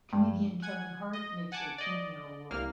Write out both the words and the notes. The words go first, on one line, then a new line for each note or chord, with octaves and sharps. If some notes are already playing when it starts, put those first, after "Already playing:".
Comedian Kevin Hart makes a cameo role.
G2
F#5 G#5 G#6
D#5
F#5 G#5 A5 D6
D5 D#5
C2 A#3 F6